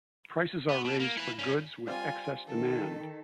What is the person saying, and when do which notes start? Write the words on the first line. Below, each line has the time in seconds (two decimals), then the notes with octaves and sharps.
Prices are raised for goods with excess demand.
0.69 B3
0.84 B2
1.00 A#3
1.17 E4 B4
1.39 G2 C#4
1.87 G3 C4 F4 F5 G#5
2.47 D#3 A4